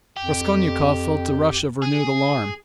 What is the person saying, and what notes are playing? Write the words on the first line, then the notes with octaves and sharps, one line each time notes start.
Raskolnikov felt a rush of renewed alarm.
F2 G4
G#4